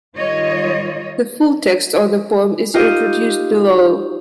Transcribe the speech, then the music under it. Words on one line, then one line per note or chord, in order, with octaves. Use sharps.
The full text of the poem is reproduced below.
D#3 G3 F4 C#5 D#5
D#4 F4 G4 D#5